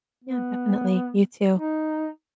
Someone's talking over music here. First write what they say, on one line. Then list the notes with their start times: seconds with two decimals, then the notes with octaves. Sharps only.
Yeah, definitely, you too.
0.24 B3
1.56 D#4